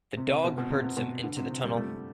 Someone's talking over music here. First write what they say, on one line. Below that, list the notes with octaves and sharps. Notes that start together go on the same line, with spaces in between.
The dog herds him into the tunnel.
C3
C3
B2
B2
C3
C3
B2
D3
C3
C3
G3
A3